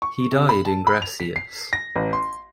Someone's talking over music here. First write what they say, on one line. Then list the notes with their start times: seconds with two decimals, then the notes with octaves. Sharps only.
He died in Gracias.
0.02 C#6
0.32 C3
0.49 B5
0.65 A5
0.87 B5
1.02 F7
1.20 B6
1.36 C7
1.73 A#6
1.95 A1
2.13 C6